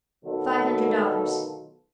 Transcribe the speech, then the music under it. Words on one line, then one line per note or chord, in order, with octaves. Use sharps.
"Five hundred dollars."
D2 B2 D#3 F#3 F4 A4